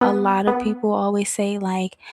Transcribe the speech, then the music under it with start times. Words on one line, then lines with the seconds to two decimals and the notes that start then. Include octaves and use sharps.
a lotta people always say, like
0.01 B3
0.47 B3